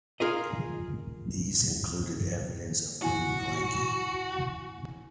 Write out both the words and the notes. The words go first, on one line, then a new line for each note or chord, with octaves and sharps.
These included evidence of wooden planking.
F4 G#4 A#4 D#5
E4 F#4 G#5